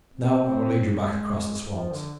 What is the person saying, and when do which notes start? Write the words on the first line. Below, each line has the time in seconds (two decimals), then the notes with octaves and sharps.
Now I will lead you back across the swamps.
0.16 C4
0.94 G#3
1.71 F3
1.91 D3